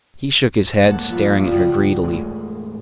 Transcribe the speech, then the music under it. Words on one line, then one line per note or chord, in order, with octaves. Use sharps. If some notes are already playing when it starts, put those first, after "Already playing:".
He shook his head, staring at her greedily.
G#2 A#3 F#5 A5
F3 A#3 F4 E5 B5
C#2 F3 G3 F4 F#4
E1 A2 G#3